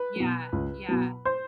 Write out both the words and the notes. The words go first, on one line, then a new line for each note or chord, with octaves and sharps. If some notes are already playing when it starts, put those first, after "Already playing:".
Yeah, yeah.
Already playing: B4
B2 F#3
C#2
B2 F#3
C5